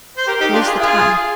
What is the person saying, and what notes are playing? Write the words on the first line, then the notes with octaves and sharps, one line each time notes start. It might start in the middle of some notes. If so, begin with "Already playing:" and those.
"What is the time?"
C5
G4 A#4
D#4 G4
D4 F4
F4 G#4
F4 G#4